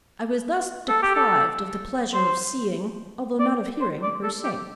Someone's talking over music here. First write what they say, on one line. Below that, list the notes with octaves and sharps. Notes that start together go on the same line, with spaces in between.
I was thus deprived of the pleasure of seeing, although not of hearing, her sing.
A4
G4
A4
C5
D5
C5
D5
A4
G4